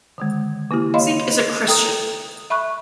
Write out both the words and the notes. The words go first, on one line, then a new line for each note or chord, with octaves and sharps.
Cink is a Christian.
D3 D#3 G#3
C#3 A#3 E4 G4
C#5 D#5 F5 B5 C6
A4 G5 A#5 D#6
E5 B5 C#6 F#6